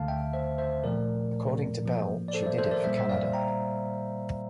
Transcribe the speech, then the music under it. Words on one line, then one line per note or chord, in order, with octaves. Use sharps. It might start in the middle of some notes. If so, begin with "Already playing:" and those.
According to Bell, she did it for Canada.
Already playing: D2 D3 A3 F5 A5
E5 G5
C5 E5
C5 E5
A#2 F3 A3 A#4 D5
A2 F3 A#3
D5
A4 C5
D5
C5 E5
A4 C5
E5
A#4 D5
A#2 G3 A#3 C5 E5
E5
D5 F5
G5 A#5